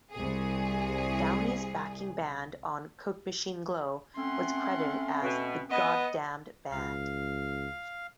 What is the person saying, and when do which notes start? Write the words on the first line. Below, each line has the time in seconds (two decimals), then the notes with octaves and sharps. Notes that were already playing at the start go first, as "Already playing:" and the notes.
Downie's backing band on "Coke Machine Glow" was credited as "the Goddamned Band".
0.13 C2 G#4
4.17 A3 C4 C#4 F#5 C6
5.22 B2
5.70 B3 D#5
6.72 C#2 F5